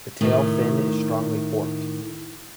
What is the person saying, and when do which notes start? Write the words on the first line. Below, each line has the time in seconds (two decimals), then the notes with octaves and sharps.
The tail fin is strongly forked.
0.21 A2 D#3 A3